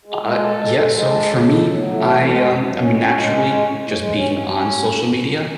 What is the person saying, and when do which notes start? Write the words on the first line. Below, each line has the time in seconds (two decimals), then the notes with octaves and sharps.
Uh, yeah, so for me, I, um I mean, naturally, just being on social media,
0.05 G#3
0.22 G#3
0.39 A4
0.56 G#3
0.73 G#3
0.89 G#3
1.08 A4
1.23 C#3
1.41 A2
1.58 A2
1.75 F#3
1.92 A3
2.09 E3
2.27 G#3
2.43 F#2
2.60 F#2
2.77 C#4
2.95 C#4
3.12 G#3
3.28 C#4
3.45 G#3
3.63 A2
3.80 A2
3.96 G#3
4.14 C#4
4.31 C#4
4.47 C#4